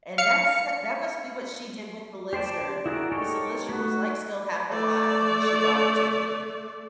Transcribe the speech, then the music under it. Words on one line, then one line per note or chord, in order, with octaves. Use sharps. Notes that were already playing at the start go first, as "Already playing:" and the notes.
And that's that that must be what she did with the lizard, 'cause the lizard was, like, still half alive when she brought it to me.
F5 C#7
G4 C5 D5 A5
E4 F#4 G#4 A#4 D5
D#4 G4 A4 A#4 C#5
A3 F#4
A3 D5